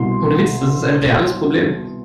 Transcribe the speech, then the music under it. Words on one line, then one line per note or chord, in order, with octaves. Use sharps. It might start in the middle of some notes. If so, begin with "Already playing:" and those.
Ohne Witz, das ist ein reales Problem.
Already playing: C2 B2 C6